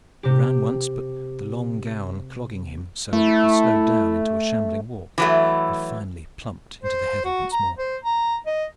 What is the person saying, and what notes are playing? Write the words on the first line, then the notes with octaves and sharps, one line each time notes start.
He ran once, but the long gown clogged him so that he slowed down into a shambling walk, and finally plumped into the heather once more.
C3 G4
A3 E4
E3 F#3 A3
C5
F#4
A#5
C5
A#5
D#5